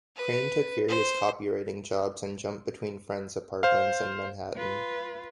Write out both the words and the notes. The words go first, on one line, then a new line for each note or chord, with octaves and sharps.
Crane took various copywriting jobs and jumped between friends' apartments in Manhattan.
B4
C5
C5 F5
F4 B4